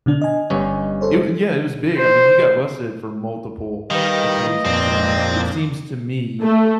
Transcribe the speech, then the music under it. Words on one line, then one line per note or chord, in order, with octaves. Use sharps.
it wa And yeah, it was big, I mean, he got busted for multiple occasions and I it seems to me
B2 D3 D4
D#5 G#5
G1 G2 C#4
A4 C5 C#5
C5
D#3 G3 B4 D#5 F5
F2 A#2 C4 D4
A3